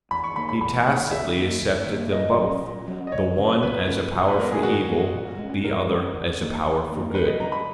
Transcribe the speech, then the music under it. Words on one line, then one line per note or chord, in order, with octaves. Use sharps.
He tacitly accepted them both, the one as a power for evil, the other as a power for good.
E2 B5
C#6
D#3 A#3 B5
B5
E2 B5
D#3 A#3 F#5
D#2 E5
D#3 A#3
D#2
D#3 A#3
A#2 D#5
F#3 C#4
A#2
F#3 C#4
D#5
C#2 C#5
C#3 G#3 C#4
C#2 B4
C#3 G#3 C#4
A#2
B4
G#3 B3 A#4
G#4
A#2 F#4
G#3 B3
A#2
G#3
C#4
A#2 A#4
G#3 C#4
E2
D#3 A#3
E2
D#3 A#3
A#4
D#2 B4
D#5
C#3 F#3 A#5
B5